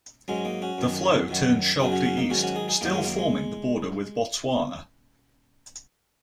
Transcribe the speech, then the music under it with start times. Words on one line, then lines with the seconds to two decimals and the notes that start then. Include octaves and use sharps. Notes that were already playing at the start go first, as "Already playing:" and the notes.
The flow turns sharply east, still forming the border with Botswana.
0.28 G#2 F#3 G#3 C#4
0.45 A#3 D#4
0.62 C#4 F#4
0.78 F#2 D#3 F#3
1.29 F#2 D#3 F#3
1.79 F#2 C#3 F#3 D#4 G#4
1.92 C#4 F#4
2.05 C#4 F#4
2.17 A#3 D#4
2.30 G#2 D#3 F#3 C#4 F#4
2.43 C#4 F#4
2.55 D#4 G#4
2.68 D#4 G#4
2.81 F#2 D#3 F#3 A#3 D#4
2.94 G#3 C#4
3.06 A#3
3.18 G#3